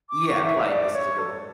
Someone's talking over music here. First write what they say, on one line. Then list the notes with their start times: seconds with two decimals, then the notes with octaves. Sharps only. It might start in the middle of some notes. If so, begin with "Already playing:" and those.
Yeah. Politeness is a good one.
0.10 D6
0.26 C#6
0.43 E5
0.68 D5
0.93 C#5
1.18 A4